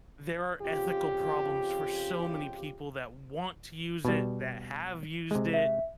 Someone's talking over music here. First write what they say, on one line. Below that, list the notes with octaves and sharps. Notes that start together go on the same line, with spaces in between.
there are ethical problems for so many people that want to use it, that have used it,
F2 C#3 F4 G4
B2 G3
C3 G#3
E5